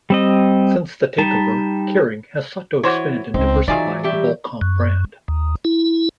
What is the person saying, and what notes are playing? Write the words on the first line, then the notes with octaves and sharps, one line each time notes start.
Since the takeover, Kering has sought to expand and diversify the Volcom brand.
G3 C4 D#5
G3 D#4 A5
E3 F#4 C5 C#5
C#2 C4 D#4
E3 F#3 D#4 F4 G#4 D5 E5
F#3 G3 G4 E5
F#2
D#2
E4